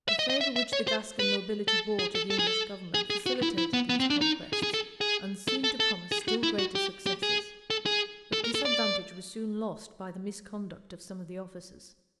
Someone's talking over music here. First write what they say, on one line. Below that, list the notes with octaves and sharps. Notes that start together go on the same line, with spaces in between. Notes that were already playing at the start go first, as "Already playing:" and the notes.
The favor which the Gascon nobility bore to the English government facilitated these conquests, and seemed to promise still greater successes; but this advantage was soon lost by the misconduct of some of the officers.
E5
D#5
D#5
E5
E5
C#5
C5
B4
A4
G#4
A4
A4
G#4
A4
G#4
G#4
F#4
E4
E4
B3
B3
C4
D4
D#4
G#4
G#4
A4
G#4
A4
A4
A4
G#4
F#4
E4
F#4
G4
G4
G#4
A4
G#4
A4
A#4
A4
D5